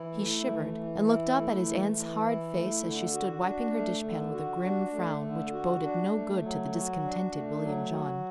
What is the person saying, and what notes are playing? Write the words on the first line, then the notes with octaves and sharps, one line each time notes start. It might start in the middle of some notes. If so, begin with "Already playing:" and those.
He shivered, and looked up at his aunt's hard face as she stood wiping her dish-pan with a grim frown which boded no good to the discontented William John.
Already playing: E3 E4
A3
E3
E3
E4
A3
E3
E3
E4
A3
D3
F#4
D4
A3
D3
F#4
D4
A3
D3
F#4
D4
A3
F#3
F#4
D4
A3
F#3
F#4